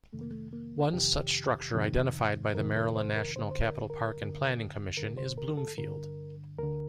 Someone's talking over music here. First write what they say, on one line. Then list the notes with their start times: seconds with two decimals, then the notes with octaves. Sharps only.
One such structure identified by the Maryland-National Capital Park and Planning Commission is Bloomfield.
0.13 F2 C3 D#3 A3
0.21 A#3
0.31 A3
0.53 A#3
0.93 F2 C3 D#3 G4
1.74 F2 C3 D#3
2.55 F2 C3 D#3 A#4
2.76 A#4
2.96 C5
3.16 A#4
3.36 G2 D3 C5
3.51 C5
3.63 A#4
3.90 A#4
4.16 G2 D3
4.97 G2 D3 A#4
5.17 C5
5.38 A#4
5.57 A4
5.78 G2 D3 A#4
6.58 D2 D3 A#4